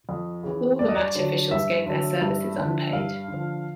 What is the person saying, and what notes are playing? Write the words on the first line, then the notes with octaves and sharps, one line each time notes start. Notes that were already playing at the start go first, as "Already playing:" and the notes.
All the match officials gave their services unpaid.
F2
C#3 E3
G2 D5
D#5
D5
D3 F#3
G2 E5
D3 F#3
G2
D3 F3
G2 F5
D3
F3